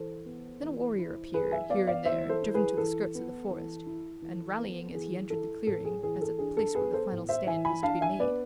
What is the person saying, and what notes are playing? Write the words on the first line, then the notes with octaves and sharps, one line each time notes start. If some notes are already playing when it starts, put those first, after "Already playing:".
Then a warrior appeared, here and there, driven to the skirts of the forest, and rallying as he entered the clearing, as at the place where the final stand was to be made.
Already playing: E3 A4 C5
B3
E3
E4
E3 G#4 B4
E5 G#5
B3 D5 F5
D5 F5
E3 C5 E5
A4 C5
E4
G#4 B4
E3 A4
B3
E3
E4
E3
B3
E3 G#4
E4 A4
A2 A4
G#4
E3 G#4
A4
D4 G#4
A4
B3 G#4 B4
A4 C5
A2
C5 E5
E3 E5 G#5
G#5 B5
D4 F5 A5
E5 G#5
B3 B4 D5